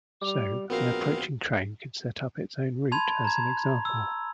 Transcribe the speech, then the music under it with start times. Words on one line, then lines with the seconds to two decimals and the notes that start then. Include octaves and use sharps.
So, an approaching train could set up its own route, as an example.
0.22 G3 D6 F7
0.70 A#1 B3 C4 F#4 A#4 F5
2.92 A5 B5 C6 G#6 F7
3.24 A#5 G#6
3.85 E6